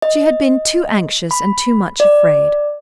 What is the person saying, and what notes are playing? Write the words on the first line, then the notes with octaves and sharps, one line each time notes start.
She had been too anxious and too much afraid.
D#5
B5
D5